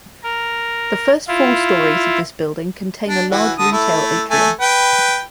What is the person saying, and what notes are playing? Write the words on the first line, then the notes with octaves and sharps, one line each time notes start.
The first four stories of this building contain a large retail atrium.
A#4
E4 F4
D4
E3 F#4
D3 D#6
A3 E4
A3 G#5
B4 G5